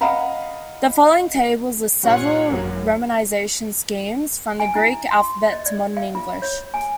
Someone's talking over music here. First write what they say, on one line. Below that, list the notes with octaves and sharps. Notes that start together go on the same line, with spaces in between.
The following tables list several romanization schemes from the Greek alphabet to modern English.
D#5 F5 F#5 A#5 B5
G2 A#2 F4 C#5 F#5
G#1 F#2 F#3 A#3
G#5
E4
C6
D#5
D5
F5
F4
C#5
G#5